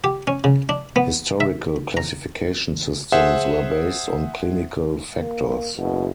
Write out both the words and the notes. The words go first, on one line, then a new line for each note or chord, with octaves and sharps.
Historical classification systems were based on clinical factors.
G4
C#4
C#3
D4
B3
E5
A#5
G#4 C5 E5 F#5
A#3
F#1 B2